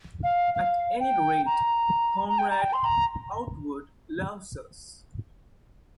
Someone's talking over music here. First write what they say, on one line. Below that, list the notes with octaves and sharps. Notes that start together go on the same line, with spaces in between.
At any rate, Comrade Outwood loves us.
F5
F5
G5
A#5
A#5
G5
A#5
G5
C6
A#5